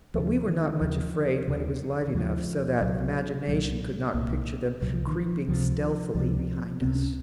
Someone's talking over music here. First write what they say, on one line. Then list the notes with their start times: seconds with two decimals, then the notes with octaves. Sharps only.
But we were not much afraid when it was light enough, so that imagination could not picture them creeping stealthily behind us.
0.14 D#2 C#3 F3
0.48 D#3
0.81 D#2 C#3 F3
1.48 D#2 C#3
2.08 D#3
2.14 D#2 C#3 F3
2.81 C2 A#2 F#3
3.48 C2 A#2 F#3
4.14 C2 A#2 A#3
4.81 C2 A#2 F#3
4.94 F3
5.07 D#3
5.20 F3
5.48 C#2 C3 F3
6.15 C#2 C3 F3
6.82 C#2 C3 C4
6.95 C#4